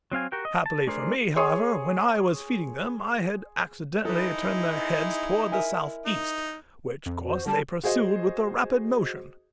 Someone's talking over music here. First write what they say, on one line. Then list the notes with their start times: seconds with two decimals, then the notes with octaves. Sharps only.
Happily for me, however, when I was feeding them I had accidentally turned their heads towards the south-east, which course they pursued with a rapid motion.
0.12 F#3 C4 F5 G#5
0.32 F#4 G4 A#4 G5
0.45 D#5
0.66 A5
0.87 A3 D4 G#4 A#4 C5
1.36 G#4 C#5 C6 C#6 D#6
4.05 G#3 D#4 E4 A4 B4
5.52 A#4 E5 G#5
6.06 D#4
7.06 F2
7.24 F#4 C5
7.46 D3 G3 A5
7.84 F#4 G#4 C5 D#5